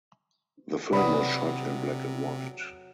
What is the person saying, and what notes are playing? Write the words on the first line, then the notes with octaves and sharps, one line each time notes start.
The film was shot in black and white.
C3 F#3 B4 D5 B5 D#6